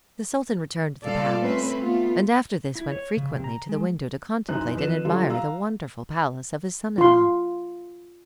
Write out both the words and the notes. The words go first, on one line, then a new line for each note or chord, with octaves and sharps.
The sultan returned to the palace, and after this went frequently to the window to contemplate and admire the wonderful palace of his son-in-law.
A#2 G3 F4 A4 D5 F5
A3 C4 C#4 B4 C5
A3 B3 F4
E4
C#5
C#3
C3
A#5
G#3
F#2 E3 D#4 C5 D#5 F#6
F2 B4 E7
D3 F#3 G3 F4 A4
F5 A#5 E6
F4 C6